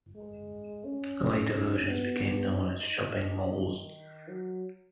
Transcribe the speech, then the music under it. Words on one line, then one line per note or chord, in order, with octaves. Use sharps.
Later versions became known as shopping malls.
G#3
C#4
B3
D#4
D#3
F#3